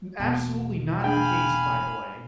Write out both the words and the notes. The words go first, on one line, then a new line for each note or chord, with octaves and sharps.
absolutely not the case, by the way,
E1 B2 A#3 B3 A5
A3 D4 G#4 F5 G5 G#5 B5